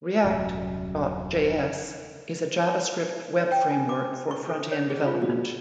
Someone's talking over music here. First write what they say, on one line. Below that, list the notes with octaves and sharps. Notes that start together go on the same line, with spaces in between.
React.js is a JavaScript web framework for frontend development.
D#1 C2 F#2 F#3
C#5
G5
G#5
D6
C#6
A4
C#5
G#4
F4
F#4